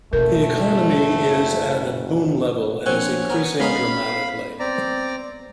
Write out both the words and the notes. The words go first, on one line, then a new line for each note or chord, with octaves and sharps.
The economy is at a boom level and is increasing dramatically.
F#1 B2 A3 A#4
A#1 C4 C#5 F#5 G#5
B3 A#4
G#3 B3 C#4 A#4 D#5 F5 B5
C4 D5 A#5